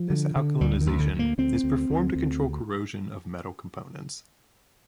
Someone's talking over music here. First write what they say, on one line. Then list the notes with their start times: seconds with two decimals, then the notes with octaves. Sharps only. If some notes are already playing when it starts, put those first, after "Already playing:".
This alkalinization is performed to control corrosion of metal components.
Already playing: F3
0.10 D3
0.36 D3
0.61 D2 G3
0.81 D#3
0.87 D2
0.99 D3
1.13 D2
1.19 A#3
1.38 D2 C4
1.64 D2
1.90 D2
2.15 D2